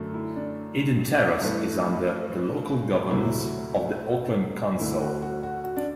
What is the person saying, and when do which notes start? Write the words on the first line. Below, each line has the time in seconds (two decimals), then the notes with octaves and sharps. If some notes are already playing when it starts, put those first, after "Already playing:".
Eden Terrace is under the local governance of the Auckland Council.
Already playing: F#2 D3 A3
0.14 E4
0.36 D4
1.41 G2 E3 A3
3.11 D2 C3 F#3 A3 E4
4.79 D2 D3 A3 E4
5.01 F#4
5.22 F#4
5.43 F#4
5.64 F#4
5.77 D4